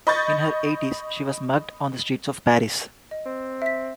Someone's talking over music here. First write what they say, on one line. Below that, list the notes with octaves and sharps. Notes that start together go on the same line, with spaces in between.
In her eighties she was mugged on the streets of Paris.
D#5 B5 C#6 G6 A6
D#5
C4
E5 B6